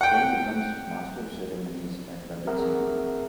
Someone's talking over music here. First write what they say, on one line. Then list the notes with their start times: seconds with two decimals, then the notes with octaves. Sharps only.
Ken becomes Master of Ceremonies at London Sea World.
0.01 F#5 G5
2.47 C4 G#4 A#4 E5 F#5